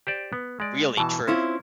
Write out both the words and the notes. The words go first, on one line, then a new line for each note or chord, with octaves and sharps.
Really true.
G4 C5 D5
B3
G#3 D5
B2 E3 A5
C4 C#4 E4 F4